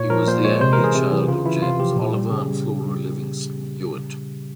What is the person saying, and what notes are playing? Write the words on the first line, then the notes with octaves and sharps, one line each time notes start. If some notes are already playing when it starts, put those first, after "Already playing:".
He was the only child of James Oliver and Flora Livingstone Ewart.
Already playing: A#2 C#5
F3 A#4
A#2 C5
G#3 C#5
C3 C5
E3 A#4
G#4
C3
E3
C#3 F4
E3 E4
C3 F4
F3 G4
A#2
G3
C#3